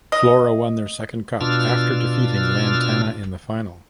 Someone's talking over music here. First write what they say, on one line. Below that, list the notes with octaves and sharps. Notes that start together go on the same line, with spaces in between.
Flora won their second cup after defeating Lantana in the final.
D#5
B2 D4 F4 E6 F6